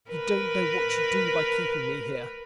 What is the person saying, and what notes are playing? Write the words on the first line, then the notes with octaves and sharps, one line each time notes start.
You don't know what you do by keeping me here.
A#4 B4